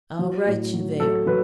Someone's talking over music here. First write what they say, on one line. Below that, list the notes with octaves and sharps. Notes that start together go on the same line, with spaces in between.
"I'll write you there."
F#3
A2
F#3
F#3 A4
F#3 B4